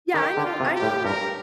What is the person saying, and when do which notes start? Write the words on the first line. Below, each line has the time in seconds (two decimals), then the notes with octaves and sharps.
Yeah, I know I know
0.14 D#3 G4
0.37 D3
0.44 F4
0.60 C3
0.75 G4
0.82 A2
1.05 G2 A#4